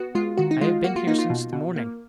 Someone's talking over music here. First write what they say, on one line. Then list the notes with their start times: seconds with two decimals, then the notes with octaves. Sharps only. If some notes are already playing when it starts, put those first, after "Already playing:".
I have been here since the morning.
Already playing: B3 F#4
0.15 G#3 F4
0.37 D#3 F#4
0.51 D#4
0.61 G#3 F4
0.84 A#3 F#4
0.96 F4
1.07 A#3 D#4
1.19 F4
1.30 B2
1.53 B2
1.76 A#3